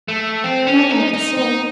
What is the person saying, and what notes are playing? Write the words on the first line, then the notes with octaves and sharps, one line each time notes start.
Nothing of the sort!
A3
C4
C#4
D#4
D#4
D#4